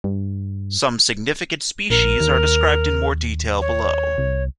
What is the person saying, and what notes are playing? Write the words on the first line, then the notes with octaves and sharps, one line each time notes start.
Some significant species are described in more detail below.
G2
A#1 A#4
D#2
C#5
C2